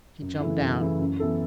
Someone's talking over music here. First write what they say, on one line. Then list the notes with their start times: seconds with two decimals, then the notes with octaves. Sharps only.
He jumped down.
0.22 F#2
0.40 C#3 E3 A3 E4
0.61 F#2
0.80 C#3 E3 A3 E4
0.99 F#2
1.20 E3 B3 E4 A4